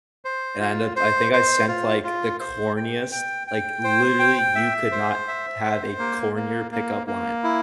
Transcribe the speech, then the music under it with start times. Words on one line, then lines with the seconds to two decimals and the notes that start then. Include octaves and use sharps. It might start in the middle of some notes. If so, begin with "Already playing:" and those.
And I end up I think I sent, like, the corniest, like, literally, you could not have a cornier pickup line,
0.25 C5
0.60 F4
0.96 C5
1.33 C5
1.68 F4
2.04 F4
2.40 C5
2.77 G5
3.12 G5
3.47 G5
3.84 C5
4.19 G5
4.55 E5
4.92 C5
5.28 E5
5.64 C5
5.99 A#3
6.36 A#3
6.71 A#3
7.07 A#3
7.44 E4